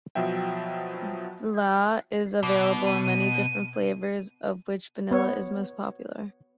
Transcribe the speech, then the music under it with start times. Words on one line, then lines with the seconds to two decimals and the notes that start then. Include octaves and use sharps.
Vla is available in many different flavors of which vanilla is most popular.
0.15 B2 F3 F#3 E5 G5
2.43 B2 D6
2.86 D#7
3.04 D#7
5.11 B3 C#5